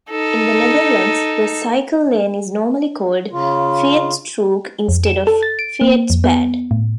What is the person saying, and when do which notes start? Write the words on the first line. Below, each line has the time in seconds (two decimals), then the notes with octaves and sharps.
In the Netherlands the cycle lane is normally called "fietsstrook" instead of "fietspad".
0.10 D#4 A4
3.32 C#3 F4
4.88 F2
5.05 E7
5.27 A4
5.43 A6
5.59 D7
5.81 A#3
6.10 F2
6.24 B3
6.71 A2